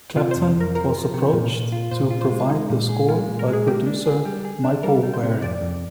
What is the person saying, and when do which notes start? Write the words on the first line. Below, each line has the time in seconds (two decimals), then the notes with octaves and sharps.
Clapton was approached to provide the score by producer Michael Wearing.
0.16 C3 F4
0.31 F2 C5
0.55 F2
0.60 A#4
0.75 F3 A#4
0.94 F3
1.14 C3
1.33 A#2
1.53 A#2
1.72 F4
1.91 A#2 C5
2.11 F4
2.21 C5
2.31 G#3
2.50 G#3 D#4
2.70 A#2
2.89 G#4
3.08 G#3 F4
3.28 A#2
3.39 A#4
3.48 G#3
3.53 G#4
3.67 A#3 G4
3.86 D4
4.06 G#4
4.25 G3
4.45 G#4
4.64 D4
4.83 G3 A#4
5.03 G3
5.13 C5
5.23 C3
5.42 F2 D5
5.61 F2